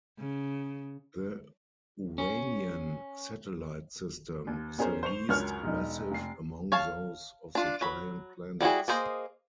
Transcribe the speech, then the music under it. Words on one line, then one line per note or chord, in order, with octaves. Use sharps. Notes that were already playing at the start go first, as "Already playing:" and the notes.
The Uranian satellite system is the least massive among those of the giant planets.
C#3
C#4
D#2
B3 C#4 G#4 A#4 C5
C5 C#6 F7
C#2 F#2 A#4 C#5 F6
E1 D#4
F1 C7
C#5 F5 A5
D4 F4
F#3 B5
G3 B3 E4 F#4 G#4
A#3 G#4 C5 D#5